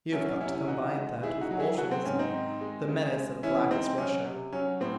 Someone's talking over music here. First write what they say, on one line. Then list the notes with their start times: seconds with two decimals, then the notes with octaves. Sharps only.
You've got to combine that with Bolshevism, the menace of blackest Russia.
0.12 F#3 C#4 E4
0.26 C#4
0.40 C3 C#4 E4
0.55 C#4 E4
0.67 E3 D#4 F#4
0.96 G#3
1.22 D#3 E4 G#4
1.41 D#4 F#4
1.51 F#3
1.60 E4 G#4
1.78 F#3 F#4 A4
1.91 C4
2.05 G#2 C#4
2.19 C4 D#4
2.34 D#3
2.61 G#3
2.89 C#3
3.15 G#3
3.43 E3 C#4 E4
3.70 G#3 C4 D#4
3.98 F#3 C#4
4.26 C3
4.52 F#3 C#4
4.81 A2 C4